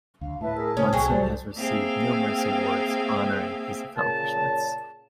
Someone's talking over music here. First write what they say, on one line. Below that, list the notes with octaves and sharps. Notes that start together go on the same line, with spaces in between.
Munson has received numerous awards honoring his accomplishments.
D2 F5
A2 B4 E5 A5
G#4 A#4 E6
A#2 C#3 C#4 D#6
C2 F#3 G#4 G5 C#6
C2 G3 A4 C5 D5
A#3 C4 G#4 E5 F5 G5
A#2 C#3 A5